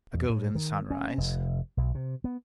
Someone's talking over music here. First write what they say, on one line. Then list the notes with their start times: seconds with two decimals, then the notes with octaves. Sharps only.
A golden sunrise.
0.14 E2
0.30 A2
0.55 D#3
0.90 C#4
1.18 F1
1.77 B1
1.95 C3
2.24 B3